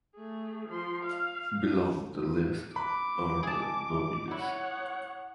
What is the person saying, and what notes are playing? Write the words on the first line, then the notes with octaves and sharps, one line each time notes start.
Below the list are the nominees.
A3 G#4
F3 C6
F5
B4 B5 D6
G#4 D#5 A5
E4 C#5 F#5